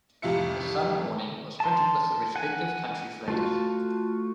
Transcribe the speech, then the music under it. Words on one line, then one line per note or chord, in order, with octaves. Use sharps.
The sun awning was printed with the respective country flags.
F2 A2 C3 F4 E5 C#7
A5 C6
F#5 G#5
A3 F4 F#4